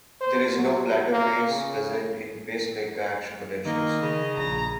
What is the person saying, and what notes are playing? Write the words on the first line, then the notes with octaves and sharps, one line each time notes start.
There is no plateau phase present in pacemaker action potentials.
C5
F#3
A#3
C#3
D#3 A#3 D#5
C#3
A#1 A#5